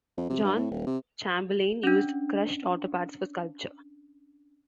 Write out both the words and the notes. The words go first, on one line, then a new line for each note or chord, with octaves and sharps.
John Chamberlain used crushed auto parts for sculpture.
F2
C3
G2
A2
D#1
C3
C#4 D4